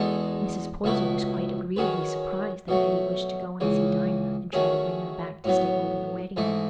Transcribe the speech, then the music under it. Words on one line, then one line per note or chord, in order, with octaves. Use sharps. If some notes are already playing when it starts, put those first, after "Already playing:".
Mrs. Poyser was quite agreeably surprised that Hetty wished to go and see Dinah and try to bring her back to stay over the wedding.
Already playing: E2 B2 G#3 D#4 A4
C#2 B2 A3 E4 B4
D#3 F#3 C#4 G#4 B4
B2 F#3 A3
C#2 C#3 E3
D#3 F#3 A3 C#4 G#4
A2 F#3 B3
G#2 E3 A3 D#4